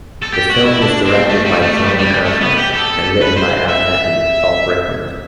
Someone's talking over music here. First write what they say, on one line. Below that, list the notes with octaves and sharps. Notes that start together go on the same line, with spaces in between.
The film was directed by Jon Avnet and written by Avnet and Paul Brickman.
A4
G4
F#4
E4
D4
C4
A3
G3
A3
A3
G3
G3
A3
B3
G4
A4
B4
C5
E5